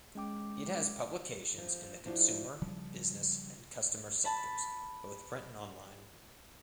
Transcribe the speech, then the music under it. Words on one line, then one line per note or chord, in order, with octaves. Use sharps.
It has publications in the consumer, business and customer sectors, both print and online.
G#3 C#4 G5 D6
F3
F3 D4 E4 F#4
C#3 F3 G3
A5 B5